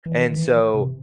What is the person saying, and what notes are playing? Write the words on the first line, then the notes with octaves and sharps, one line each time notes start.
and so
E3
D#3
E3
C3